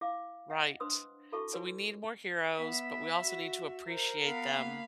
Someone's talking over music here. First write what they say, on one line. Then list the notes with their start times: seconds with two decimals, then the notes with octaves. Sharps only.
Right. So we need more heroes, but we also need to appreciate them
0.01 E4 E5 F5 D6
0.50 D#5 E5 F#5
0.80 D4 B4 C5 C6 D#6 E6
1.32 E4 F#4 A4 E5 A5 C#6
1.53 E4 F#4 B4 C#5 G#5
2.58 B3 E5 B5
3.22 F#4
3.89 A#4 C5
4.25 B3 F5 B5
4.56 A#3